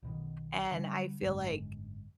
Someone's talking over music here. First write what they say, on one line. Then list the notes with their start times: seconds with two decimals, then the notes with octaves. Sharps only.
and I feel like
0.03 B1 B2 D#3
0.72 D3 E3 G3
1.21 G#1 F#2 D3 G#3